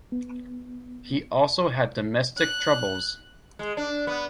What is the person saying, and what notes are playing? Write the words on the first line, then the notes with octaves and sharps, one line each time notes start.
He also had domestic troubles.
B3
F#6
G#3
D4
B3